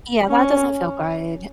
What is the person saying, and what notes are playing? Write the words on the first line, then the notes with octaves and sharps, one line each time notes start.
Yeah, that doesn't feel good,
C#4